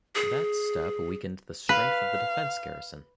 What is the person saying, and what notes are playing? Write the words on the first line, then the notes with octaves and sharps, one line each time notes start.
That step weakened the strength of the defence garrison.
G#4
B4 F5